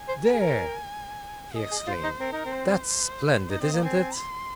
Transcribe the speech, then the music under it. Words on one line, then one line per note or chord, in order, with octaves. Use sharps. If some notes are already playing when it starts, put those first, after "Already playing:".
"There!" he exclaimed; "that's splendid, isn't it?"
Already playing: G#5
C5
A#4
G#4
A#4
G#4 D#5
G#4
F4 C5
D#4
C4 A#4
D#4
C4
C5
D#4 D#5
C4
A#3
C4 G#5
C6